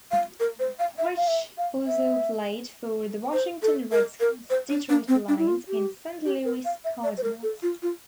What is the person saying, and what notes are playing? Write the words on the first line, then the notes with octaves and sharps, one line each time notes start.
Wyche also played for the Washington Redskins, Detroit Lions, and Saint Louis Cardinals.
F5
A#4
C5
F5
E5
F5
E5
F5
E5
C5
A4
A#4
A#4
C5
D4
D4
C4
D4
E4
F4
G4
G4
A#4
F5
E5
D5
C5
A#4
A4
F4
F4